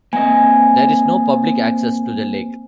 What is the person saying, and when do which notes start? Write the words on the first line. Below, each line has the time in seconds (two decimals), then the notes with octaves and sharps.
There is no public access to the lake.
0.13 A#3 C4 D#5 G#5